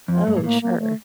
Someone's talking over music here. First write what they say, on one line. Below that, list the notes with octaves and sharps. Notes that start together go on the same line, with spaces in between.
Oh, sure.
F2 F3
G2 A3
A#2
A2 A#3
A#3
A3